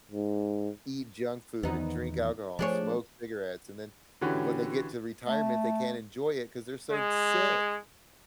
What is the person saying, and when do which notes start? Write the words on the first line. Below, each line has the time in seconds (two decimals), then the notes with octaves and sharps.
eat junk food and drink alcohol and smoke cigarettes. And then when they get to retirement, they can't enjoy it 'cause they're so sick.
0.11 G#2
1.63 E2 D#3 B3 D#4
2.59 F3 A3 D4 G#4 C#5
4.21 D3 E3 C#4 F#4 G4 B4
5.27 A3
6.91 G#3